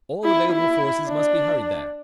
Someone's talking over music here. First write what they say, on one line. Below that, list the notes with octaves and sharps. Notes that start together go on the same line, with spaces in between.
All available forces must be hurried there....
E4
E4
D4